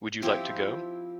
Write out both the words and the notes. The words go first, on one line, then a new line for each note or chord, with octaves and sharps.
Would you like to go?
F3 C4 E4 G4